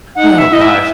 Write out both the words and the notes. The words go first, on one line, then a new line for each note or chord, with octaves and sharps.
Oh, gosh.
D#4 F#5
E5
E4 D#5
E5